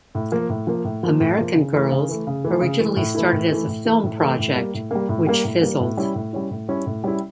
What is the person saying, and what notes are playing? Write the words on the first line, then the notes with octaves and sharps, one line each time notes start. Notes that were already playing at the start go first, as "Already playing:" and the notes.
American Girls originally started as a film project, which fizzled.
A2
F3 A#3
A2
F3 A#3
A2
F3 A#3
A2
F3 A#3
C#3
E3 A3
C#3
E3 A3
C#3
E3 A3
C#3
E3 A3
A2
E3 A3 E4
A2
E3 A3 E4
A2
E3 A3 E4
A2
E3 A3 E4
A2
G3 A#3
A2
G3 A#3
A2
G3 A#3
A2
G3 A#3
A2
G3 C#4 E4
A2
G3 C#4 E4
A2
G3 C#4 E4
A2
G3 C#4 E4